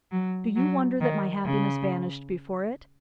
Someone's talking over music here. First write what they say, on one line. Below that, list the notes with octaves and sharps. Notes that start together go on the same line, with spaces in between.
Do you wonder that my happiness vanished before it?
F#3
F#3
D#3
C#3